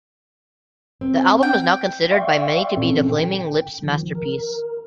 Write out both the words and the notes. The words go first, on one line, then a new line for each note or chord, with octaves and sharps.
The album is now considered by many to be the Flaming Lips's masterpiece.
C4
G5
D5 E5 F5 G5 C6 C#6
A#2 E3 C4 C#4 A4
G5
D#3 F3
A#4